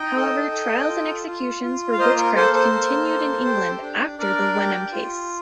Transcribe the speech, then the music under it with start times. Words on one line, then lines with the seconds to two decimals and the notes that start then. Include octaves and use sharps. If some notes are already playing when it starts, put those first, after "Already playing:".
However, trials and executions for witchcraft continued in England after the Wenham case.
Already playing: D#4 D#5 G5
0.16 A4
0.52 A4
0.89 F4
1.26 F4
1.62 F4
1.93 F5
1.99 A#3 C5 D#5
2.17 A#4
2.35 A#3 A4 C5
2.53 A4 C5
2.72 A#3
3.09 A#3
3.45 G4
3.82 D4
4.19 D4 A#4 D5
4.55 G4
4.92 F4